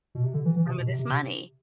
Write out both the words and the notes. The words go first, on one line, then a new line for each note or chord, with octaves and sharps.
some of this money
B2
C3
D3
E3
E3
C3
B2
C3
C3
C3